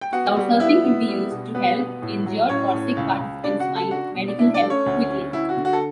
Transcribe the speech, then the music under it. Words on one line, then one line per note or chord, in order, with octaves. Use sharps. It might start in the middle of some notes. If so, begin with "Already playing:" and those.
Crowdsurfing can be used to help injured or sick participants find medical help quickly.
G5
B3 F#4 F#5
G3
B3 E4 E5
B3
G3
B2
G3 B3 B4
B2
A2
F#3
A2 C#4 C#5
A2
C#2
C#2
C#3 D4 D5
F#4 F#5
C#3
A4 A5
D4 F#4 F#5
B2
D5
D4 E4 E5
D4 D5
A3
C#4 C#5
D2
C#4
D2 E4
F#4
D3
F#4
A4